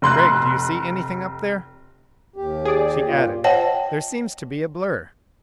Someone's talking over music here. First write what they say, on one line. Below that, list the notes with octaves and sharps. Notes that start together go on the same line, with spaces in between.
"Gregg, do you see anything up there?" She added, "There seems to be a blur."
F1 C6 F#6
D#2 G4
G#4 D5
A#2 F4
C5 C#5 D#5 F#5 G5 A5